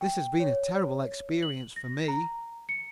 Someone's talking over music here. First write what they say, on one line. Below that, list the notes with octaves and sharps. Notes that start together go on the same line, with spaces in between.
"This has been a terrible experience for me."
G5
C#5
F#7
A#6
A#5
C#7